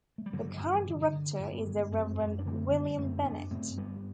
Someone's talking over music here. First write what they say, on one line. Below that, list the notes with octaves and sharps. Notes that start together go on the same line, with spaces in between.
The current Rector is the Reverend William Bennett.
A3
G3
G2 D3 F#3
G2
E3 G3
D3
D3
G2
G3 B3
G2
F#2 A3 C4
F#2
C4
D4
D3 A3 C4
D3 G3 B3
F#2 A3 C4
F#2 B3 D4
G2 A3 C4
G2 G3 B3